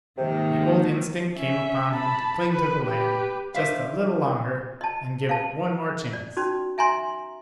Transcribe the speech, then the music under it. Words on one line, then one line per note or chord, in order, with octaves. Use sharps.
The old instinct came upon him to cling to the land just a little longer and give it one more chance.
G#2 C3 D#3 A#3
C#4 E5
A5 B5
B4
G4 B4
D4 C5 E5 F5
D#5 A5
F5 A5
D5
C#4 D#4 F#4
E5 G#5 A#5 C6